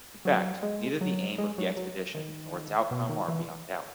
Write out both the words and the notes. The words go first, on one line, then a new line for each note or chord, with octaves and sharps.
In fact, neither the aim of the expedition nor its outcome are beyond doubt.
F#3
G#3
F#3
G#3
F#3
F#3
D#3
B2
D#3
E3